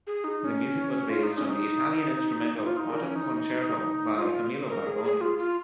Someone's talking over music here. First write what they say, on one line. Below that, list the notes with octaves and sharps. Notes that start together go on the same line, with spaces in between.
The music was based on the Italian instrumental, "Autumn Concerto," by Camillo Bargoni.
G#4
D#4
D#4
C#4
F4
D#4
C#4
D#4
F4
D#4
A#4
C#4
D#4
F4
A#4
G#4
G#4
F4
F4